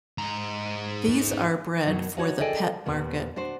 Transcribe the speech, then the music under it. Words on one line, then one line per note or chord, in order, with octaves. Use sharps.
These are bred for the pet market.
G#2 A#5
F#2 B2 F#3
D#4 F#4 C#5
G#4 A4 D5 D#5 G5 G#5
D#2 A#2 B3
D4 F#4 C5